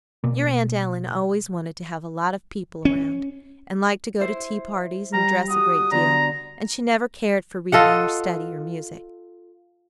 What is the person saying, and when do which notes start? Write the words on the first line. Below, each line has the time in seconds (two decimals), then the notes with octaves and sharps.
Your Aunt Ellen always wanted to have a lot of people around, and liked to go to tea-parties and dress a great deal; and she never cared for reading or study or music.
0.24 B2 A#3
2.85 C#4
4.20 E4 C5
5.13 G3 A#5
5.50 F#4 D#6
5.92 D3 B3 A#5
7.72 F4 A4 D#5 F#5